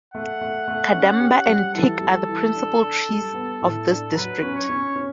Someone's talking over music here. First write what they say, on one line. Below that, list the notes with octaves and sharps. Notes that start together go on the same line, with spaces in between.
Cadamba and teak are the principle trees of this district.
A3 F#5
A3
A3
C#4
G4
G3
E3 A4
G3
E3
D4
D4
G3
B3
A2
D4
F#3 B4
C#4
C#5
C#4
C#4